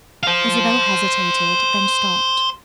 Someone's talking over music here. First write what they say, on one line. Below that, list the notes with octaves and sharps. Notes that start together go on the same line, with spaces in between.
Isabel hesitated, then stopped.
C5 F5